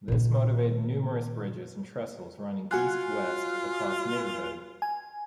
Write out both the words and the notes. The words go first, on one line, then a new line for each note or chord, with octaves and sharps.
This motivated numerous bridges and trestles running east-west across the neighborhood.
A#2 D#3
F4 F#4 G#5 F#6
G#5